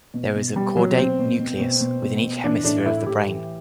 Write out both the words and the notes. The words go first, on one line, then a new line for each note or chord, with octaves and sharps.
There is a caudate nucleus within each hemisphere of the brain.
B2
B2
B2 G3
B2 F#3
B2 C4
B2
B2
B2
B2
B2
B2
E3 D4
A2 D4
A2 E4
A2 G4
E3